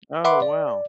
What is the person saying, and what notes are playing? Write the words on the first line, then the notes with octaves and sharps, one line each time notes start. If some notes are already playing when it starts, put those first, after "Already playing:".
Oh, wow.
B4 E5 F#5 B5 C6 D6
D5